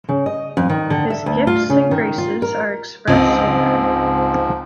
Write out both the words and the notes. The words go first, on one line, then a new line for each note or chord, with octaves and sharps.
His gifts and graces are expressed in her.
C#3
D#5
F2
D#3
D3
E5
D2
F4
C#3
D#3
F4
A#4
C#2 G#2 F3 C4 D#5